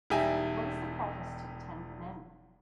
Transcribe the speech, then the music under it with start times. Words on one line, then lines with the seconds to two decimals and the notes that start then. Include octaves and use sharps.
What is the preface to the ten commandments?
0.10 E1 G3 D#4 E5 G5 G#5